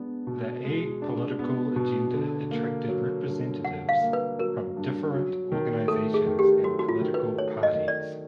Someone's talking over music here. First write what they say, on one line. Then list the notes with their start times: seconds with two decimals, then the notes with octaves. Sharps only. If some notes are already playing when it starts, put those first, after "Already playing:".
The apolitical agenda attracted representatives from different organizations and political parties.
Already playing: G#3 B3 D4
0.27 B2
0.64 G#3
1.02 D4
1.39 B3
1.76 B2
2.14 D3
2.51 A#3
2.88 F#3
3.26 G2
3.64 D3 F#5
3.89 F5
4.01 A#3
4.13 B4
4.39 F#3 A#4
4.76 G2
5.14 F#3
5.52 D#3
5.88 A3 A4
6.14 G#4
6.26 D#3
6.39 G4
6.63 F#3 F#4
6.79 F#4
6.89 F4
7.01 D#3
7.14 B4
7.38 A3 C#5
7.63 D#5
7.75 D#3
7.88 D5